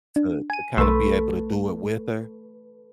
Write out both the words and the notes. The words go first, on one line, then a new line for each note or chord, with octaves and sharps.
to to kinda be able to do it with her,
D4
G#5 D#7
B1 A3 B4 C6 E6